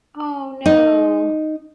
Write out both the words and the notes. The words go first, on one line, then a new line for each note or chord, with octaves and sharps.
Oh, no.
D#4